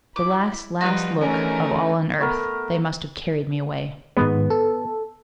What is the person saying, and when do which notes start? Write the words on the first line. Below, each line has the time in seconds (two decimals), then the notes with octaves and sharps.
The last last look of all on earth--they must have carried me away.
0.16 E4 D6
0.81 F3 G3 D#4 F4 F#4 B4
1.21 D3 E3 A3 C#4 D#4 G#4 A#4
2.20 A3 B3 A#4
4.17 G#2 D#3 G#3 B3
4.50 A4